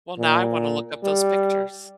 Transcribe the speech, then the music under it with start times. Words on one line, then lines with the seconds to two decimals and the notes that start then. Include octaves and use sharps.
Well, now I wanna look up those pictures.
0.19 A#2
1.03 G3